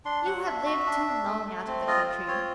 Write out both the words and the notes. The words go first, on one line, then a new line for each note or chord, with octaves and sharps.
You have lived too long out of the country.
D4 C6
F#3 F#5
D4 E5
F#4
D4
D4
A3
A3
C4
F4 D#5
F4
C4 C#5